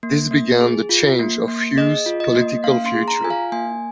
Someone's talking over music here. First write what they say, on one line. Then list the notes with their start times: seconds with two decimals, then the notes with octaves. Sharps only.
This began the change of Hu's political future.
0.03 A#3
0.31 A#3
0.61 G#4
0.89 F4
1.19 A#3
1.48 A#3
1.77 G#4 D#5
2.06 F4
2.20 D#5
2.35 A#3
2.64 A#3 F5
2.86 C6
2.94 G#4
3.08 A#5
3.23 F4 G#5
3.30 F5
3.52 A#3 G#5